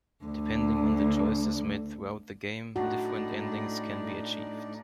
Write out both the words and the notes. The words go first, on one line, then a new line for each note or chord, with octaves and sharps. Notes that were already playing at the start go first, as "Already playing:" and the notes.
Depending on the choices made throughout the game, different endings can be achieved.
D2 D3
A2 D4 D#4 F#4 D5